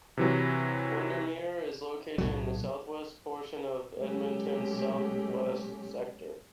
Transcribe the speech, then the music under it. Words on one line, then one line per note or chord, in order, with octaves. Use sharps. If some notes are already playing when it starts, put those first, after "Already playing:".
Windermere is located in the southwest portion of Edmonton's southwest sector.
C3 E3 F#3
B1 A2 F#3
B2 F#3 G#3 A3 C#4 G4